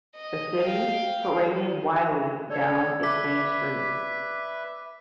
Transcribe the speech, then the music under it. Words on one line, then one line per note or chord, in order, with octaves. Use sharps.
The city paraded Wiley down its Main Street.
D#5
F5 G5
A4 C#5 D5 G#6
B4 E5 D6 B6